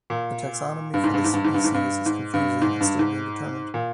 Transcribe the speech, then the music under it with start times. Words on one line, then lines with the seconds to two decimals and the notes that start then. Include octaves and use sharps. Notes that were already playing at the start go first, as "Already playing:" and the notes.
The taxonomy for this species is confusing and still being determined.
0.10 A#2
0.94 G2
1.04 G#2
1.14 G2
1.24 G#2
1.34 G2
1.44 G#2
1.54 G2
1.64 G#2
1.74 G2
2.06 G#2
2.34 G2
2.61 G#2
2.81 G2
2.99 G#2
3.74 A#2